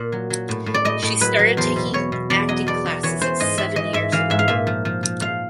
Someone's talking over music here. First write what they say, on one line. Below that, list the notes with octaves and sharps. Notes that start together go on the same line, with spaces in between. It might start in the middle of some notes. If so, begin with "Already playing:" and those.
She started taking acting classes at seven years old.
Already playing: A#2
F#3
F#3
A2
A2
D5
A2 D#5
A2
F#3 B4
F#3
E2 C5
B2
B2 C#5
B2
E2 D5
F#3 D#5
E2 D5
E2
E3 C#5
E3 C5
G#2 D#5
G#2 E5
E3 D#5
G#2 E5
E3 F5
G#2 E5
F5
A#2 E5
F3
F3
F3
F3 F5